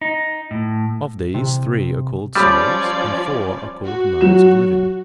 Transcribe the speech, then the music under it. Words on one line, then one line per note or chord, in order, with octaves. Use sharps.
Of these, three are called souls, and four are called modes of living.
D#4
A2
C3
F3 G3 C#4 D5 B5 D#6
F#4
F#3 E7